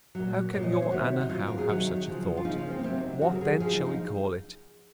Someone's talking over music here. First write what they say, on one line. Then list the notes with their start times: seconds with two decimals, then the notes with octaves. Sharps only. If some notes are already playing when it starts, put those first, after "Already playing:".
How can your Anna Howe have such a thought?--What then shall we call it?
0.15 A#2 F#3
0.53 A#2 F3 C#5
0.63 D#5
0.72 C#5
0.82 C5
0.91 C3 D#3 F#3 F#4
1.21 D#4
1.29 C3 F#3 F4
1.47 A#4
1.58 G#4
1.68 C3 D#3 F#3 F#4
2.07 C#3 F3
2.37 F4
2.45 C#3 F3 D#4
2.58 C#4
2.67 A#3
2.70 C4
2.79 A#3
2.83 C3 F#3 C4
2.97 D#4
3.21 C#3 F#3 F#4
3.35 A#4
3.41 G#4
3.60 C#3 F3 G#4
3.74 D#4
3.86 D#4